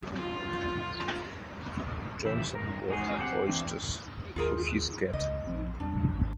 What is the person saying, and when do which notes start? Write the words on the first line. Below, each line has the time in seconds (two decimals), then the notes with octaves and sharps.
Johnson bought oysters for his cat.
0.17 F4
2.24 C#3 E3 E4 G4 E5
2.55 A#4
2.89 G#3 D#4 F#4 G#4 D#5
3.18 C4 G4 G#4 C5 F5 F#5
3.47 E3 C4 D4
4.36 D#2 F4 G#4 A#4
5.13 C#2 C#3 D#5
5.47 A#1 F3 C4
5.80 E2 E3 G3 D4
6.12 G#1